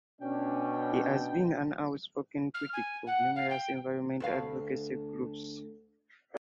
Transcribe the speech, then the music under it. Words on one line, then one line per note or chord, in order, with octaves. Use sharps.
He has been an outspoken critic of numerous environmental advocacy groups.
B2 C#4 D4 G5
F6
G#5
F#5
F5
G5
D2 B4 F5